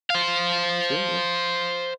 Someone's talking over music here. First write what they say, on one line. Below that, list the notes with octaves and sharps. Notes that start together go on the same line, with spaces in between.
Sure, yeah,
C5 F5